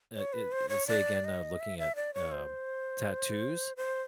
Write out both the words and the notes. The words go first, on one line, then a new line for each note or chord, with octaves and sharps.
Eh eh, uh, say again, uh, looking at, um, tattoos?
C#5
B4
C5
C#5
D5
D#5
E5
E5
D5
C#5
C5
C5